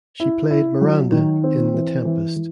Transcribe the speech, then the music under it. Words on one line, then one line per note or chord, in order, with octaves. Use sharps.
She played "Miranda" in "The Tempest".
E4
E4
F#3
D#3
C4
E3
E3
E3